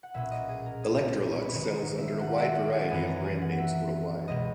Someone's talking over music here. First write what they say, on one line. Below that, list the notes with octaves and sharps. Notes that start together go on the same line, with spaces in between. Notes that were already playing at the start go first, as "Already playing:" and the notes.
Electrolux sells under a wide variety of brand names worldwide.
F#5
B1 A#2 A#3 C#4 E5
D#5
G#4
A#4
G#4
B4
A#1 G#2 D#3 G#3 C#5
D#5
E5
F#5
E5
F#5
G#5
F#2 E3 G#3 D#4 G#5
A#5
G#5
F#5
E5
C#2 B2 G#3 B3 D#5